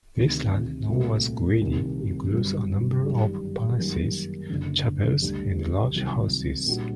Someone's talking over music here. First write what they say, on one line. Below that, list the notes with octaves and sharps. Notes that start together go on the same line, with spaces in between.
This land, known as Gwiedi, includes a number of palaces, chapels and large houses.
D2 C3 D#3
C2 A#2 A3 C4 F#4
C2 C3 D#3 G3 C4
G1 G2 F#3
F#2 D#3 G3
F#2 D#3 G3 A#3
F#1 F#2 D3
D2 D3 G3
C2 C3 D#3 F#3
A#2 G3 D4 F#4